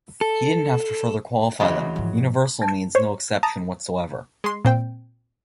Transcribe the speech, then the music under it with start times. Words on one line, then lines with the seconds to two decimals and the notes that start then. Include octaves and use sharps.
He didn't have to further qualify them - universal means no exception whatsoever.
0.21 A4
1.60 E2 C#3 E3 F#3 D#5 B5 C6
1.96 G#2 F3
2.95 C5 C#5
3.43 A5 A#5 D#6
4.44 G#3 C6
4.65 A#2 C4 G5